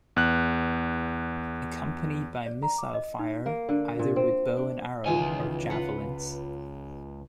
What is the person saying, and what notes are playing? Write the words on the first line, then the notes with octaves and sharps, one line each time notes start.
Accompanied by missile fire, either with bow and arrow or javelins.
E2 F#6
D5
A#5
D6
D#5
D#4
A#3
D3
A#2
C4
D4
C#2 D#3 E3 F4 G#5
F4 B4 F#5